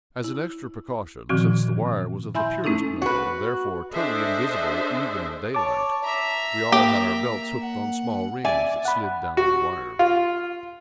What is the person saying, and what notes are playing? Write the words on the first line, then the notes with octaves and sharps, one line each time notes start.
As an extra precaution, since the wire was of the purest metal, and therefore totally invisible, even in daylight, we all had our belts hooked on small rings that slid down the wire.
E4
A#2 D3 D#3 F3 C4 F#4
E4 E5 G#5 B5 C6 G6
A3 C#4 D#4 E4 A4
F#4 B4
D4 G#4 A4 C5 D#5 E5
C#5 A5 D6
E5 A#5
A#3 G4
F#5
D5 E5 G#5
F#5 B5
F#4
F4